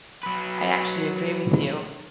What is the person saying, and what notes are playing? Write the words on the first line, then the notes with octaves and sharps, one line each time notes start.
I actually agree with you.
F#3 B4